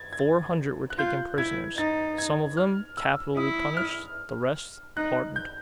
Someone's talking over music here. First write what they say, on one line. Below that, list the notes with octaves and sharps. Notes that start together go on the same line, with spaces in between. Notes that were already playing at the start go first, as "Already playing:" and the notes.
Four hundred were taken prisoners; some of them capitally punished, the rest pardoned.
Already playing: G#6 A6
G#6
A6
F#6
F4 G6
E4 G#6
D#4 A6
G#6
F6
E6
E4 D#6
F6
D#4 F#6
G6